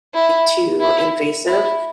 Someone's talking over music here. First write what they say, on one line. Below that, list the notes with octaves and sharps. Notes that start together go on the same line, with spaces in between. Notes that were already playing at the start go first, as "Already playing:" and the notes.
too invasive,
E4
E4
E4